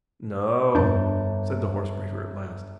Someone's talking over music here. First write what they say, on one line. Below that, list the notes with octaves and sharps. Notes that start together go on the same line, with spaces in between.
"No," said the horse-breaker, at last.
G1 F2 D4 A5 G6